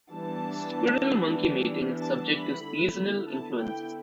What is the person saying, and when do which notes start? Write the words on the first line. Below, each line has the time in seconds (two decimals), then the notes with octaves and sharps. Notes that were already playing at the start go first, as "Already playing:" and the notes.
Squirrel monkey mating is subject to seasonal influences.
0.11 E3 G3 B3 D4 A5
2.02 A5
2.33 B5
2.65 D3 B3 E4
3.28 A5
3.60 G5